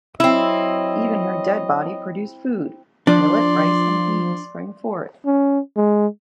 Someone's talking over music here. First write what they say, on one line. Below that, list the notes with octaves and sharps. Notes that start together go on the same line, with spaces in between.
Even her dead body produced food: millet, rice, and beans sprang forth.
F#3 C4 E4 C#5 D#5
F3 D4 D5 C6
C#4
G#3